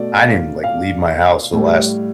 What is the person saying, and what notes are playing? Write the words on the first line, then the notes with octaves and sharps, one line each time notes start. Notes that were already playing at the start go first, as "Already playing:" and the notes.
I didn't even, like, leave my house for the last.
Already playing: B2 A3 D5
F5
F5
A2 G3